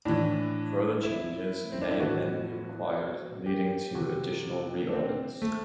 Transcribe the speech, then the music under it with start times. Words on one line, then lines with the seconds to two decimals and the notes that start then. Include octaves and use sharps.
Further changes may then be required, leading to additional re-audits.
0.05 A2 E3 D4
1.03 E4
1.72 C4
1.82 D4
1.91 E4
2.00 A2 E3 F#4
3.46 G4
3.95 C3 E3 F#4
4.89 D4
4.93 C4
5.42 A3